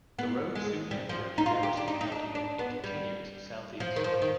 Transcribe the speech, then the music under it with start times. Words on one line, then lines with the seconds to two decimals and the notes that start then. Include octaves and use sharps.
The road soon enters Jefferson County and continues southeast.
0.19 B3
0.55 G#3
0.91 G3
1.09 F3
1.38 D#4
1.46 F4
1.63 G4
1.77 D4
1.88 D#4
2.01 D#4
2.12 D4
2.35 D4
2.59 B3
2.84 G3
3.80 F3
3.96 D#3
4.04 F3
4.22 D#3